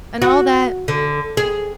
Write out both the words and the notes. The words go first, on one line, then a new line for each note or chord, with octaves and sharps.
And all that.
F#4
D3
G#4